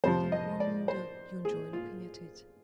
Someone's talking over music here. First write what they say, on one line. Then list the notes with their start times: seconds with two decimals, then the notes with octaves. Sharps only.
I don't wonder you enjoy looking at it.
0.04 F2 C3 F3 C5
0.32 D#5
0.60 D5
0.88 C5
1.45 G#4
1.73 F4